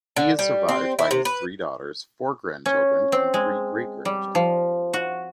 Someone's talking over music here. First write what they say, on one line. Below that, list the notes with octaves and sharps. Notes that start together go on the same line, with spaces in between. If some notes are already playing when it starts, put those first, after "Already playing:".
He is survived by his three daughters, four grandchildren, and three great-grandchildren.
D3
G3
C4
E4
C3
B4
C#4
C4
G#3
G3
F3
F#4